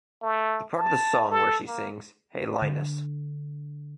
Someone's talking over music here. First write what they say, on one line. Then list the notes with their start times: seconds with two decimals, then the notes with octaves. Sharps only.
The part of the song where she sings Hey Linus...!
0.22 A3
0.78 A5
1.31 A4
1.68 A#3
2.62 D3